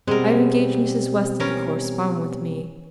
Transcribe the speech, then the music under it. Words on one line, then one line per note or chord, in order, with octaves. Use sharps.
I have engaged Mrs. Weston to correspond with me.
B2 G3 G#3 C4 A#4
E3 C#4 A#4